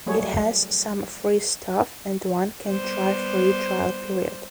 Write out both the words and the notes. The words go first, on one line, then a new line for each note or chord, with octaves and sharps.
It has some free stuff and one can try free trial period.
F#3 G3 A3 G#4 C#5
G3 B3 C5